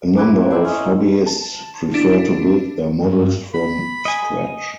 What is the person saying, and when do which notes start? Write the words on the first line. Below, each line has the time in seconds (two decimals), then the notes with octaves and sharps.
A number of hobbyists prefer to build their models from scratch.
0.17 E4 B4 D6
0.50 C5 D5 E5
0.65 C#4 D#5
1.26 A5
1.94 D4 E4
3.01 G2
3.55 B5
4.05 D#5 G#5